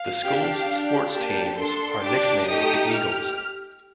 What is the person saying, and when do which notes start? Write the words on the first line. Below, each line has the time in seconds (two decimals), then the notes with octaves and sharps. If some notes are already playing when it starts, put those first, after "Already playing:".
The school's sports teams are nicknamed the Eagles.
Already playing: F5
0.23 G4
0.28 D4
0.68 D4 G4
1.13 A#3 D4 G4 A5
1.58 D4 A4 C6
2.03 D4 G4 D6
2.48 A3 D#4 G4 D#6
2.93 G4 F6